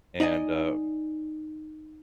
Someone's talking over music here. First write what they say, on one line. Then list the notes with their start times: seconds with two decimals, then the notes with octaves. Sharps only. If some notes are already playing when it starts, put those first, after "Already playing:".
and, uh,
0.20 D#4 D5 D#5 F#5 G#5